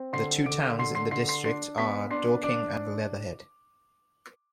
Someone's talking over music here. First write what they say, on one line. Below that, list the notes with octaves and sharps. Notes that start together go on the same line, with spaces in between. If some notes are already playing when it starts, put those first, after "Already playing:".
The two towns in the district are Dorking and Leatherhead.
Already playing: C4
D3 C6 C7
D3 D6 D7
D3 C6 C7
C6 C7
D3 C6 C7
C6 C7
D4 C6 C7
B3 B5 B6
D4 C6 C7
D4 D6 D7